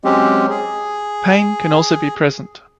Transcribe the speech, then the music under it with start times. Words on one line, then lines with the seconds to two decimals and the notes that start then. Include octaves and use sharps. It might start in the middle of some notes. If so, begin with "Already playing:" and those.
Pain can also be present.
0.04 F#3 G#3 C4 C#4 G4
0.50 G#4